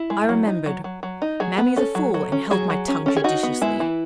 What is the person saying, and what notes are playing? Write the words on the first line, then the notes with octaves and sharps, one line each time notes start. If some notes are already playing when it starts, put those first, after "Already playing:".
I remembered 'Marmy's a fool,' and held my tongue judiciously.
Already playing: E4
G#3
F#3
D#4
F#3
F#3
F#3
D#4
F#3 G#4
B3 B4
C#4 A4
F#3
F#3
C#4
F#3 G#4
F#3
C#4
C#4 A4
G#4
D#4 F#4
B3
G#3 E4
E3